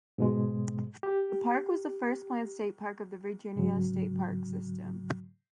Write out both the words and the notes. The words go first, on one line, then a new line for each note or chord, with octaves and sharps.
The park was the first planned state park of the Virginia State Park system.
G#2 B2 G#3
G4
G#2 C#3 F#3